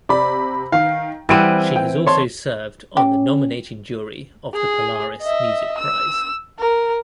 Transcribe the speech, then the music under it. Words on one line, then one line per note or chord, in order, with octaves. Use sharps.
She has also served on the nominating jury of the Polaris Music Prize.
C3 D5 B5
D#3 F5
E3 G3 C4 F#5 E6 D7 D#7
G5
C#5 A5 C6
C#4 G4
G#4
D#5 E5
E6
A#4